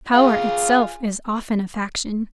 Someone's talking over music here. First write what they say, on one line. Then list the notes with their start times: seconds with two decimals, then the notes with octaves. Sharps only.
Power itself is often a faction.
0.13 F4 G#4